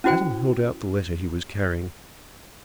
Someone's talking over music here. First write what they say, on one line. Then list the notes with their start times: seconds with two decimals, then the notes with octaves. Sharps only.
Adam held out the letter he was carrying.
0.04 C#4 E4 F#4 C5 G5